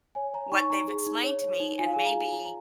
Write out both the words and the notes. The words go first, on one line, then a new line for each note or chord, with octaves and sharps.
what they've explained to me, and maybe,
C#5 G#5
C#5 A#5
D#4 C#6
D#4 A#5
G#4
D#4
C#5
C#5
D#4
F4 G#5
F5
G#4 G#5
A#5
F4
F4 A#5
A#5